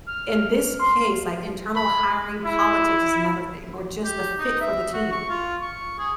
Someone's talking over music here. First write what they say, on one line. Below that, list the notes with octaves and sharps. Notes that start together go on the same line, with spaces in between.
In this case, like internal hiring politics is another thing or just the fit for the team,
F6
C6
B5
E4
G4
D#4
E5
F#4
C#6
F4
C#6
G#4